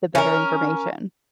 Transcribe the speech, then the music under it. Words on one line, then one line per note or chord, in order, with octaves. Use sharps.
the better information?"
C#4 A#4